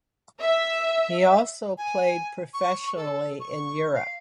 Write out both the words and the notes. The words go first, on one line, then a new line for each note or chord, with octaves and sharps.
He also played professionally in Europe.
E5
G#5
C#6
A4
C#6
F5